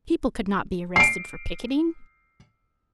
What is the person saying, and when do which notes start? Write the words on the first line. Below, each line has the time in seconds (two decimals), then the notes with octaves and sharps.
People could not be arrested for picketing.
0.96 C7 D7